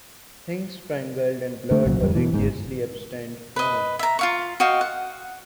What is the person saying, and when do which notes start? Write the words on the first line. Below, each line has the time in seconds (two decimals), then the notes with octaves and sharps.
"Things strangled and blood" were rigorously abstained from.
1.71 D3 A3
1.85 C2 A#2 C#3 F#3
2.00 D#1 F#2 G3
2.15 B2 E3
2.34 G1 G#2
3.56 B4 D#5
3.99 E5 A#5
4.19 F4 F5 C#6
4.60 F#4 D#5 F5 G5
4.81 F#5